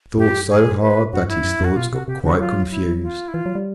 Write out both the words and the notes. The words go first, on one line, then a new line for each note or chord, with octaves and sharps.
He thought so hard that his thoughts got quite confused.
F#2 G4
G#4
B4
G2 F#4
E4
F#2
F2 F#4
B2 F4
C3 F#4
C3 G4
D3 F#4
F#3 F4
E4
F4
E4
E3 F4
F#3
G3